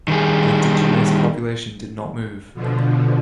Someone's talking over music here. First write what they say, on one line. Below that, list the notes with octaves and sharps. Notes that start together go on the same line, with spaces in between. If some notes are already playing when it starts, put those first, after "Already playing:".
The indigenous population did not move.
D#3 G3 G#4
B2 D3 F3